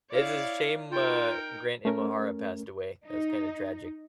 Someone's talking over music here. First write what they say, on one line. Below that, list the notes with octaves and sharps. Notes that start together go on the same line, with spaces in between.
It's a shame, uh, Grant Imahara passed away, that was kind of tragic.
E4 C#5 D5 F5
D#4 F4 A#4 G5
A3 C#4 A#4
D#4